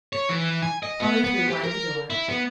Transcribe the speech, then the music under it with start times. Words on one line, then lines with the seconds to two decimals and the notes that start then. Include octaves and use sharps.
Polly threw wide the door.
0.13 C#5
0.29 E3
0.63 G#5
0.83 D#5
1.00 B3
1.24 B3
1.48 G4
1.64 A#4
2.10 E4
2.29 B3